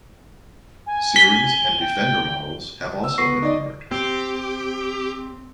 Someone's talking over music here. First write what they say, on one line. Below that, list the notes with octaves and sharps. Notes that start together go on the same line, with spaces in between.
Series and Defender models have also been armoured.
G#5
B6 G7
G5
E6
B3 C#6 A#6 C7
D#4 D5 D#5
C4 G4